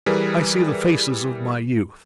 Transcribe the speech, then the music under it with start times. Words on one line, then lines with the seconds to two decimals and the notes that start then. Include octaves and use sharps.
I see the faces of my youth.
0.06 E3 G3 G#4 A#4 B4